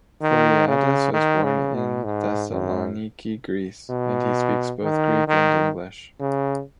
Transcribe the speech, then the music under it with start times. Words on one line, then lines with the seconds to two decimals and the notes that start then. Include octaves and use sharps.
Voreadis was born in Thessaloniki, Greece, and he speaks both Greek and English.
0.22 D#3
0.68 C#3
1.14 D#3
1.44 C#3
1.75 B2
2.05 G#2
2.52 F#2
3.90 B2
4.82 D#3
5.28 D#3
6.20 C#3